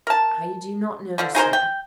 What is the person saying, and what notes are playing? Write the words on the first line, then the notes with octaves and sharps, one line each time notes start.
"I do not know, sir!"
A#4 A5
D3 F3 D4
D#4 G#4 A#4 C5
G5